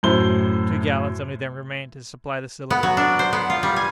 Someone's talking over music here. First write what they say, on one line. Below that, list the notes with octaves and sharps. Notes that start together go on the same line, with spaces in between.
Two gallons only then remained to supply the cylinder.
F#2 A2 C5 G7
B3
F#3
D4
C5
B3
F4
G3
G#5